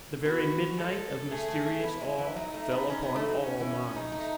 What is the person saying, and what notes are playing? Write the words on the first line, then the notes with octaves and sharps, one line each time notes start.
The very midnight of mysterious awe fell upon all minds.
B3 F#4
G#3 A4
A3 G#4
A3
A3
B3 E4
G#3
E3
F#3 D#4
A3
B3
C#4
B3
A3
F#3
C#4
E3
G#3 D#4
A3